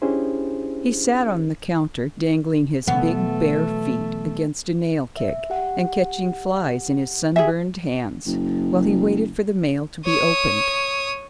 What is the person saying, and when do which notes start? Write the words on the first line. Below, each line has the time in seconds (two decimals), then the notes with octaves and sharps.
He sat on the counter dangling his big bare feet against a nail-keg, and catching flies in his sunburned hands, while he waited for the mail to be opened.
0.02 C#4 D4 E4 G4 G#4 C5
2.87 B2 E3 F#3 A3 B3
5.17 E5
5.50 G4 F#5
7.36 G4 G#4 E5 G#5
8.27 F#1
10.06 C#5 D#6